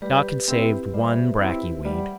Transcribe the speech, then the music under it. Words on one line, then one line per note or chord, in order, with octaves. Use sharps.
Doc had saved one bracky weed.
G3 G4 B4
C4 E4
G3 C5 E5
C4 E4
G3 D5 F#5